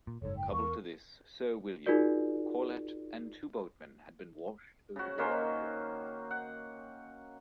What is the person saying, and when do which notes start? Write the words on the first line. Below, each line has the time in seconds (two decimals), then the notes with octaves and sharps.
Coupled to this, Sir William, Corlett and two boatmen had been washed overboard.
0.07 A#2
0.22 F#1 G#2 A4 C#5
0.36 G5
0.53 E2 A#4 F5 C#6
1.86 D#4 F4 F#4 G#4 A#4 D5
4.96 C#3 F#4
5.18 D#3 A#3 C#4 C5
6.31 F#5